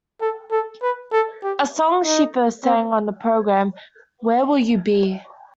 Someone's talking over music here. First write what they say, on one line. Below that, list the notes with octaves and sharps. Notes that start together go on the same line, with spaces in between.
A song she first sang on the programme, Where Will You Be?
A4
A4
B4
A4
G4
D#4
C4